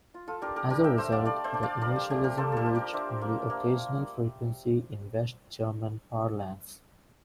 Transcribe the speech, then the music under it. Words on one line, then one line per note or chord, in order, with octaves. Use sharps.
As a result, the initialism reached only occasional frequency in West German parlance.
F4
F4 A4
D4 G4 A#4
G4 A#4
D4 G4 A#4
E5 G5
A3 C5 E5
D5 F5
A3 D5 F5
C5 E5
D4
D5 F5
D4 A#4 D5
G4
A3 G4
G4 A#4
A#3 A4 C5
G4 A4 A#4
F4
A#4 D5
D4 C5 E5
A#3
A#3